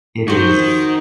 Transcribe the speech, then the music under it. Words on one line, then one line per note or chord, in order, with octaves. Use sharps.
It is.
D#3 D#4 F#4 C5